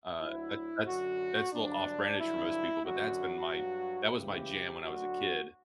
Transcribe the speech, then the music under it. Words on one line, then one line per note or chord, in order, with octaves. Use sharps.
uh, that that's, that's a little off-brandish for most people, but that's been my that was my jam when I was a kid,
D2 D3 F#3 E4
F#2 D3 F#3 F#4
G2 D3 F#3 D4
G2 D3 F#3 E4
F#2 D3 F#3 F#4
G2 F#3
C#2 C#3 E3 G4
D2 D3 F#3 F#4